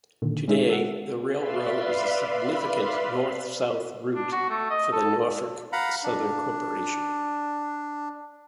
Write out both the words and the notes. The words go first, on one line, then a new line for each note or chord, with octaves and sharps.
Today, the railroad is a significant north-south route for the Norfolk Southern Corporation.
A#2 D3 D#3
G#3 C#4 D#4 G#4 E5
F#5 A5 E6
B4 D5 E5 F5 B5 C6
D4
F#4
A3
D#5
A4
F5 F#5 A#5 B5
D4